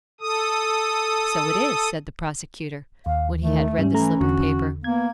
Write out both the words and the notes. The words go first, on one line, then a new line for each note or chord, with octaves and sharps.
"So it is," said the prosecutor, when he had read the slip of paper.
A4 D#6
D#2 F5
D#3 A3
G#2 G3 C#4
E3 A3 A#5
E2 D3 F#4
A#3 B3 G#6